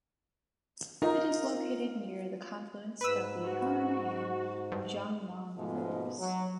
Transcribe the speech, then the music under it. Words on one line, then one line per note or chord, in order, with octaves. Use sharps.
It is located near the confluence of the Han and Jungnang Rivers.
D#4 F4 A#4
G#2 B4 E6
F#4
G2
G#2 B2 F3 G#3 A3
F#3